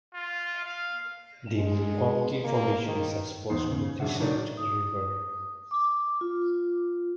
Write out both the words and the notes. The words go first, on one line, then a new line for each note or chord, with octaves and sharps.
The Milwaukee Formation is exposed on the descent to the river.
F4
F5
G#3
A#3
D#3
E2 B3 D#4 C5
C#3
C#3 F#3 D4 G#4 E5 F#5
D4 D#4 F#4 A#4 C#5 D5
D#6
D6
F4